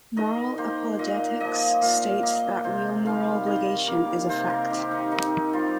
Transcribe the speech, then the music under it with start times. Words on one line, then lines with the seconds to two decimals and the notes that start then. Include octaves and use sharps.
Moral apologetics states that real moral obligation is a fact.
0.17 D#3 D#5
0.58 A#3 C5
0.99 A#2 D#5
1.40 F3 A#3 D#5
1.82 A#2 F5
2.23 A#3 D#5
2.64 C3 C5
3.06 D#3 G3 F5
3.46 D#3 D#5
3.87 A#3 F5
4.29 C3 C5
4.50 A#4
4.70 D#3 C4 G4
4.91 D#4
5.12 D#3 D#4
5.53 G3 C4 F4